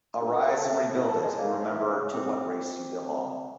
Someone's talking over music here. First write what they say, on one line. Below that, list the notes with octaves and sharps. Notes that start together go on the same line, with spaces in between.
Arise and rebuild it, and remember to what race you belong.
G2
A#3
A4
A3
A2
A4
G#3
A#3
G#2
E3
C#3
C4